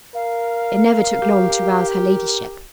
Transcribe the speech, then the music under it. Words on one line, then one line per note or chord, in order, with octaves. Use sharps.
It never took long to rouse her ladyship.
A#4 F5
G4